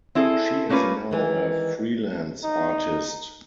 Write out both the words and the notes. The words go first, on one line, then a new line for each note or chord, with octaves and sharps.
She is now a freelance artist.
C4 E4 G#4 A4
A3 A#3 C#4 F4 B4
D#3 E3 G#3
D#4